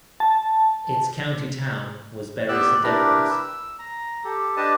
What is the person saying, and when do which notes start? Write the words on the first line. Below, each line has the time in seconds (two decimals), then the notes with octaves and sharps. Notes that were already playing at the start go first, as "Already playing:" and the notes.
Its county town was Bury Saint Edmunds.
0.20 A5
2.48 B3 G4 D5 E6 F#6
2.83 D4 E4 G4 A#4 B4
3.31 E6
3.79 A#5
4.24 G4 A4
4.57 D4 G4 B4 D#5 A5